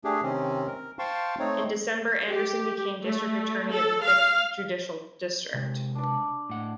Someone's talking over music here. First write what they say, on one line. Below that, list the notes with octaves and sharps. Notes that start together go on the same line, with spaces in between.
In December Anderson became district attorney of the Fifth Judicial District.
A3 D4 G4 G#4
C3 D#3 C4 C#4
A#4
C5 F5 G5 A5 C6 C#6
A3 C4 D#4 C#5
G4
A3
A4
F5
C3 G#3
D4 D5
A2 F#5